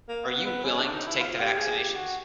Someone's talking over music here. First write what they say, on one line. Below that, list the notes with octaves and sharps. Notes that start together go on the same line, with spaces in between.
Are you willing to take the vaccinations?
A#3
B3
B3
C#4
D4
D#4
E4
F4
G4
G#4
G4
F#4